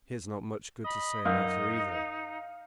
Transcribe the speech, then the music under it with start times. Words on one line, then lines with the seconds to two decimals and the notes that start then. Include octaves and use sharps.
"He has not much good to say about her either."
0.85 D#5 B5
1.25 F#2 D#4 F5